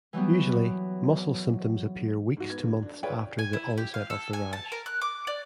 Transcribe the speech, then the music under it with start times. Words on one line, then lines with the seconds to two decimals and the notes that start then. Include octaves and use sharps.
Usually, muscle symptoms appear weeks to months after the onset of the rash.
0.13 E3 F#3 G3 B3
2.37 G#2 F#4
2.50 B3 G#6
2.63 D3
2.82 D4
3.03 F4 G#4 B4 C#5 D5 G5
3.39 G#5
3.53 E4
3.78 G4
3.94 F5
4.10 A4
4.33 G#5
4.53 A5
4.72 A#4
4.86 F#6
5.02 D6
5.27 D5